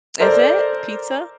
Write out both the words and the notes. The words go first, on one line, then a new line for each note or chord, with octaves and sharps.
Is it, pizza?
A4 A#4 C5 D5